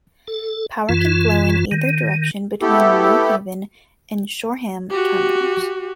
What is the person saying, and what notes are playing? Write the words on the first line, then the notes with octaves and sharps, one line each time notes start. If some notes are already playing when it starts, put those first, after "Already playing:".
Power can flow in either direction between New Haven and Shoreham terminals.
A4
F#2 E3 F4
D#3
A3 B3 E4 G4 A4
F#4 G4